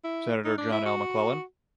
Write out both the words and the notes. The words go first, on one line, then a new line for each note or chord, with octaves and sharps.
Senator John L. McClellan.
E4
D#4
D4
E4
F#4